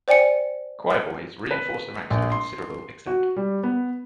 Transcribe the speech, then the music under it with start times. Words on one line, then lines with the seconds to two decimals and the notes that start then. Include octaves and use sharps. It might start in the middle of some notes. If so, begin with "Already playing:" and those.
Choirboys reinforce the ranks to a considerable extent.
0.08 C5 D5 G5 G#5 C#7
1.51 B4
2.10 A#1
2.32 C6
3.07 F#4
3.36 G3
3.63 B3